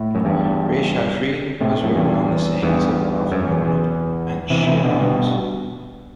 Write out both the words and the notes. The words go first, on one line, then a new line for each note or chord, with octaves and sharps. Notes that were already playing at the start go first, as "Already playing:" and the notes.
Reyshahri has written on the sayings of the prophet Mohammad and Shia Imams.
Already playing: A2
F#2
E2 G2
A2 C3
F#2 A2
E2 G2
E2
E2 G2
F#2
E2
E2
C3 E3
C3 E3
B2 D3
G2 B2